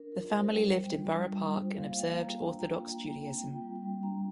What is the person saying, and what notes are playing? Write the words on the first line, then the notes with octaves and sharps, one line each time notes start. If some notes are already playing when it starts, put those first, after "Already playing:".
The family lived in Borough Park and observed Orthodox Judaism.
Already playing: D4 A#4
F4 A#4
G3 C5
G3 G5
D4
F4
G3
G3
F4 C5
A#3 F5
A#3 G5
F4 A#5
D4 G5
F4 A#5
A#3 G5
A#3 G5
C4 G5
F4
G5
G3
G5
G3
D4 A#5